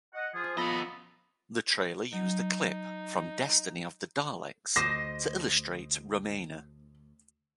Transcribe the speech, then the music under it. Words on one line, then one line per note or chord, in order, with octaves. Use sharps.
The trailer used a clip from "Destiny of the Daleks" to illustrate Romana.
D#5 F#5
F3 F4 G#4
F3 B3 F4 A4 D#5 A#5 B5
F#3 D#4
D2 C5 D#5 D6 A#6